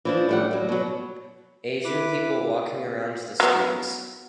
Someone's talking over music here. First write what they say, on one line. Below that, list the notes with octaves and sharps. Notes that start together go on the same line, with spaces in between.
Asian people walking around the streets.
E3 F3 D4
A2 G3 F#5
F#3 G3
B2 F#3
E4 B4 D6
F#3 B3